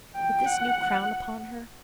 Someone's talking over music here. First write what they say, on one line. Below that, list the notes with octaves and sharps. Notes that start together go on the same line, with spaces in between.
With this new crown upon her!
G5
F#5